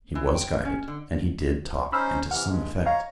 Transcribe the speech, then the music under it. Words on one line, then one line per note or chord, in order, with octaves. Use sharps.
He was guided, and he did talk and to some effect.
E3
G5
C#4
D3
C#4 D#4 C5 B5 E6 F6
C3 E3 F#5 F6
G2 G#3
C#5 D#5 F5 A#5